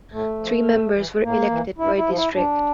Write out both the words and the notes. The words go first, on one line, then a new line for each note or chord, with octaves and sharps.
Three members were elected per district.
A2 A3
F3
A2
E3
A2 A#3
E3
G2 E4
E4
F3
E4
G2 D4